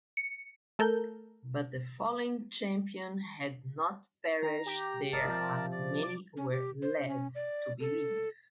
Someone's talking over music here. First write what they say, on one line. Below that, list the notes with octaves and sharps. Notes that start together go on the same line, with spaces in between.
But the fallen champion had not perished there as many were led to believe.
C#7
A3 A4 A#4 G6
D#3 A#5
G4
G#1 A#4 D5 D#5 A5
C3 F3
D5
D6
C#4
G4
C5
C#4
D5
A4